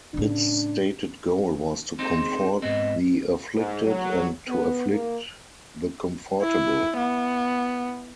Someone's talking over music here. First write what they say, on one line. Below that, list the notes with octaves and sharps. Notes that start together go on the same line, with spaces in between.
Its stated goal was to comfort the afflicted and to afflict the comfortable.
A2 C#3 D4
C4 D#4 G#4 C6
G#2 B3 C4 D#5
G#2
F#3
B3
A#3
E4
B3